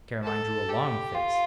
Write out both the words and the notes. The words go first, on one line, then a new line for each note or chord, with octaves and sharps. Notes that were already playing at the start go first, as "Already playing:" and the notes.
Caroline drew a long face.
A4
G4
F4